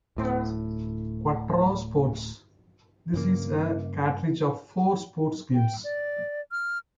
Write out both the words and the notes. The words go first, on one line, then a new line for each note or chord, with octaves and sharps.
"Quattro Sports": This is a cartridge of four sports games.
D1 A2
G2 C#3 A#3
G5
D5
F6